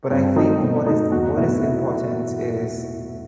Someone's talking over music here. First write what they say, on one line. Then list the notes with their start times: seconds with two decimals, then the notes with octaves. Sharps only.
but I think what is what is important is
0.10 G2 C4
0.36 D#3 F#3 A3 D#4
0.62 B2
0.86 A3 D#4
1.12 E2 F#4
1.37 B2 F#3 A3 E4